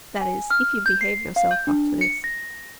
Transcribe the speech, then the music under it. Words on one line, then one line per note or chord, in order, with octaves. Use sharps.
"That is, if you behave yourselves after this."
G#5
F6
G6
C7
F5
G6
D4
C#7
A#6